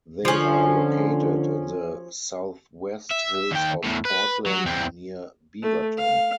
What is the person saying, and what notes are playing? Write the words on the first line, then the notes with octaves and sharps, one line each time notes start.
They are located in the southwest hills of Portland, near Beaverton.
D3 F3 C#4
E5
D#2 G5
E2 A2
B4
F#3
E2 C4
A3
F5